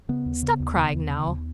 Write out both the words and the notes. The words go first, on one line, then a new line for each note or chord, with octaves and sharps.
Stop crying, now.
C#3 B3
D#2
C#3
D#2
C#3
D#2
C#3
D#2